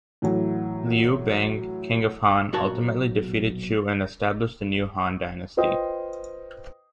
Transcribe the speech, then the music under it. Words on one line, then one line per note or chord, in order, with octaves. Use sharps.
Liu Bang, king of Han, ultimately defeated Chu and established the new Han dynasty.
A2 E3 F#3
B1 A#2 F#4 A#4 C#5 A5
F4 B4 C5 D#5 G5 D#6